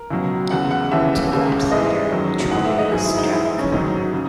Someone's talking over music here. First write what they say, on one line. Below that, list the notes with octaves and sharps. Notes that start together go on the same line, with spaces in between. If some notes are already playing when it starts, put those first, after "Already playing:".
Two laps later, tragedy struck.
Already playing: A#4
C#2 B2 F#3
E2 C#3 G#3 F#5
F#5
D#2 C#3 E3 E5
D#2 C#3 G#3
G#2 E3 G#3 D#5
F#2 D#3 F#3
G#2 E3 G#3 F#5
E5
D#5
G#2 F#3 G#4
E4
D#4
G#2 E3 G#3 E4
D#4
C#4
G#2 D#3 F#3 D#4
C#3